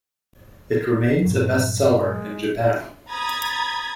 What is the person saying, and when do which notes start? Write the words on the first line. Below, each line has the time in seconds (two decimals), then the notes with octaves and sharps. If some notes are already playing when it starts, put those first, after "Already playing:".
It remains a bestseller in Japan.
1.26 G2 A#2 F#3
1.92 G#3
3.08 A#5 B5 D#6 G#6 A6